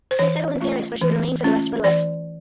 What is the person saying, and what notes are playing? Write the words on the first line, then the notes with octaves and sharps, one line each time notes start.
They settled in Paris where she would remain for the rest of her life.
C5
E3 C#5
A3 C#4 F4
E3
A3 C#4 F4
E3 D5